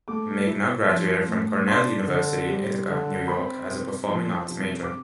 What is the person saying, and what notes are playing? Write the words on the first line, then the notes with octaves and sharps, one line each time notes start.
Megna graduated from Cornell University in Ithaca, New York, as a performing arts major.
A3 D6
E4
F3
A2
D4 C6
D3
G3
D3
C4 B5
C3
F3
C3
D6